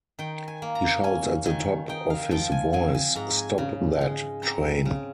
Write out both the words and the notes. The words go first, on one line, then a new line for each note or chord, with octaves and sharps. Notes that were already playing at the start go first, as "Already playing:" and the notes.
He shouts at the top of his voice 'Stop, That, Train!
D#3 G5
G#5
A#3
A#5
C#4 G#5
D#3 G#5
D#4 G5
F5
F3 G5
G#5
C4 G#5
G#5
G#2 A#5
G#5
C#3
G#3
C4 A#5
C#3